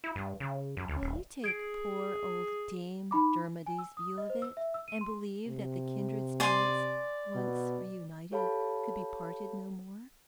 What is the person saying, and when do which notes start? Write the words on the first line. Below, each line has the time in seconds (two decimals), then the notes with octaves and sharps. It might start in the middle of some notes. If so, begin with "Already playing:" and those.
Will you take poor old Dame Dermody's view of it, and believe that the kindred spirits, once reunited, could be parted no more?
0.04 E4
0.16 G2
0.40 C#3
0.77 F#2
0.88 D2
1.01 D#1
1.44 G#4 G#6 D7
3.11 D#4 B5 D6
3.66 G#5
3.79 E6
3.97 D#6
4.18 D#5
4.30 C5
4.42 E6
4.57 E5
4.74 E6
4.88 D#7
5.01 C6
5.47 C3
6.40 D5 G#5 C6
7.35 B2
8.32 G4 A4 C#5 F5 A5 B5